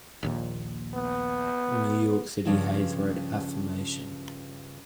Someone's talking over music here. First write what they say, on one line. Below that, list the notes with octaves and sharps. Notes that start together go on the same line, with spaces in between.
In New York City, Hayes wrote "Affirmation".
A#1 D#2 A#2
B3
G2 C#3 F3